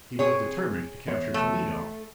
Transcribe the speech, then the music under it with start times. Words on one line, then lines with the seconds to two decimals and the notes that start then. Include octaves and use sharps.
He was determined to capture Toledo.
0.19 C3 G#4 C#5
1.08 E2 C5 C#5
1.34 A3